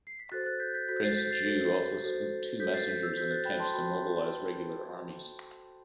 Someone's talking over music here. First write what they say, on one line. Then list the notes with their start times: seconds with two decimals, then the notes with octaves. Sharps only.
Prince Ju also sent two messengers in attempts to mobilize regular armies.
0.07 C7
0.19 B6
0.32 F#4 A4 C5 F#6 A6
0.46 F#6 A6
0.59 G6 B6
0.74 G6 B6
0.88 F#4 A4 C5 G6 B6
1.03 A6 C7
1.16 G6 B6
1.31 A6 C7
1.45 F#4 A4 C5
2.03 F#4 A4 C5
2.59 F#4 A4 C5 G6 B6
2.73 A6 C7
2.88 G6 B6
3.02 E6 G6
3.17 F#4 A4 C5 G6 B6
3.31 F#6 A6
3.45 G5 B5
3.59 A5 C6
3.73 F#4 G5 B5